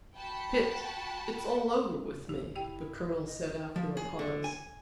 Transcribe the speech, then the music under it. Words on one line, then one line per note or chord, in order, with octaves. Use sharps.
"Pitt, it's all over with me," the Colonel said after a pause.
F#4 F#5 G5 A5 B5
A#1 G4
F#1 E4 G4 G5
D#5
F3
G#4
D3
G#5